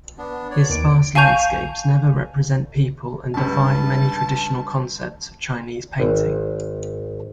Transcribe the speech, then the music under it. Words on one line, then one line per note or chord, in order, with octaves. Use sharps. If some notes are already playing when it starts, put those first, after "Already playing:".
His sparse landscapes never represent people and defy many traditional concepts of Chinese painting.
B3 D4
C#5 D5
D#2 D#3 D7
F5 G#5 A5 C#6 G6 F7
C#2 G2 A5
G#1